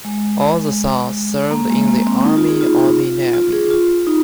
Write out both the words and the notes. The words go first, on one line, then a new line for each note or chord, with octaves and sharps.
All the sons served in the army or the navy.
G#3
A#3
G#3
A#3
C4
D#4
F4
G#4
F4
F4
G#4
F4
D#4